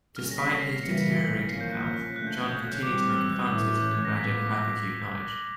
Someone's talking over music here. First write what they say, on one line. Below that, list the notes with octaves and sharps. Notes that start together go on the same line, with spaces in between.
Despite his deteriorating health, John continued to make advances in magic hypercube knowledge.
D3 G3 A#3 C#4 F6
A#6
B6
C7
C7
C7
C#3 E3 G3 A#3 C#7
A#2 F3 A#3 C#4 C7
G6
F#6
F6
F6
D3 F3 A3 C#4 F#6
G6
G#6
G6
G6
F#6
E3 G3 C4 D6
D6
F6
E6
F#6
A2 E3 A3 C#4
G6
G#6
A#6
A2 F3 G#3 B3 B6